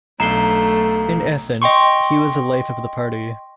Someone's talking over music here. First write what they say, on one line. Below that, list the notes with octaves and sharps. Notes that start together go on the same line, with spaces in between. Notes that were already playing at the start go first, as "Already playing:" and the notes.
In essence, he was the life of the party.
B1 A3 D4 A#5 C7 G7
D#5 G5 C6 C#6